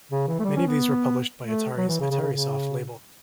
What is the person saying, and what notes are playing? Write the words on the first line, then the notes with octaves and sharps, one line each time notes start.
Many of these were published by Atari's Atarisoft label.
C#3
E3
A3
G3
C#4
B3
A3
F#3
E3
C#3
C#3
C#3
C#3